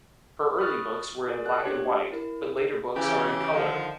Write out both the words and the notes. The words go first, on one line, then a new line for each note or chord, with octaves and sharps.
Her early books were in black-and-white, but later books are in color.
B5 C#6 D#6 F6 F#6 A6
F4 G#4 A#4 D5
F#6
D4 G4 C5 C#5
E4 A#4
C#3 E3 G4
D3 D#3 F3